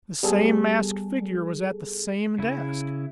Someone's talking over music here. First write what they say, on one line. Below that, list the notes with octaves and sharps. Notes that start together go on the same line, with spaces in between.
The same masked figure was at the same desk.
G3 B3 G#4 A4
C#3 E4